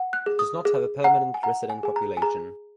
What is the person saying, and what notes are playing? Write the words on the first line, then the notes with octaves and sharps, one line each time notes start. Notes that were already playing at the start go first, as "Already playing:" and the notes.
It does not have a permanent resident population.
Already playing: F#5
F#6
G#4
D#6
G#4
F#5 A#5
G#5
F#5 A#5
G#5
G#4 G#5
A#5
G#5
G#4 A#5